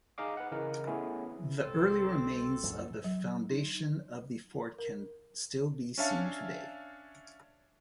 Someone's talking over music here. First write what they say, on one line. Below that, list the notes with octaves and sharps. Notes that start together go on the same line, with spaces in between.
The early remains of the foundation of the fort can still be seen today.
D#4 G#4 D#5 F5 D6
B4 F#5
C#3 E3 A#4 D#5
A3 B3 C#4 E4 G#4
C2 C4 A4
F#2 A#2 E3
F#3
D#4
A#4
C#4 D4 C#5 E5 F5 A5